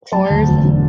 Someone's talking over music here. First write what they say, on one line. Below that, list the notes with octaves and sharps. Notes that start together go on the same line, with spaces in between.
chores and
F#3 A5
D2
E1
D3